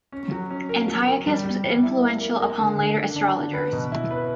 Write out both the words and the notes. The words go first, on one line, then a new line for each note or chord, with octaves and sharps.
Antiochus was influential upon later astrologers.
C#4
F#3
C#4
A#4
F#3
A#4
G3
G3
G3
E4
A#3
A#3
A#3
D3
D3
D3
D4
D3
B4
B2
E4
B4